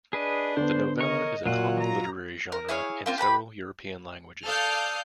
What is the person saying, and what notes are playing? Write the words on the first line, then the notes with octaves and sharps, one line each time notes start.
The novella is a common literary genre in several European languages.
D4 G#4 B4 D#5
D3 B3 C5 C6
A#4 C#5 D#5 C#6
A#2 F#3 F4 F#4 F#5
A#5
A#4
E4 G#4 C#5 F5
A#3 C4 F4
G4 B4 A#5 B5
A4 D5 F5 D#6 F6 G6